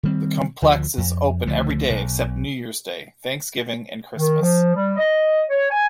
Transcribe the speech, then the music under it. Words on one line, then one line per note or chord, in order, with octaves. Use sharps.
The complex is open every day except New Year's Day, Thanksgiving and Christmas.
D#3 G3 C4
D2 D3 F3
F2
C#2 D3 F3 A3
B1
D#3
F3
G3
D#5
C#5
G#5